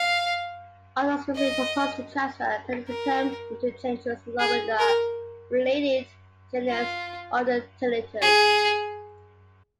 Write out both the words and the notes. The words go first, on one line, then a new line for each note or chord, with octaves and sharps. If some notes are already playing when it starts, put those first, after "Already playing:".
Authors recently proposed to transfer "Pennisetum" into "Cenchrus", along with the related genus "Odontelytrum".
Already playing: F5
D#5
A#4
G#4
A#4
F4
G#4